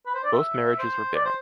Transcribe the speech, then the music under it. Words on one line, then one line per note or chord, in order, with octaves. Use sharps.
Both marriages were barren.
B4
C5
D5
E5
C5
D5
C5